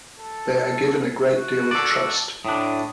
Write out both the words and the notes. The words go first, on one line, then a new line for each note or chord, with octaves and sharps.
They are given a great deal of trust.
A4
F#4
A4 D5
A2 D4 D#6